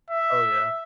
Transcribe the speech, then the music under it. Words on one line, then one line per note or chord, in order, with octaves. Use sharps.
Oh, yeah.
E5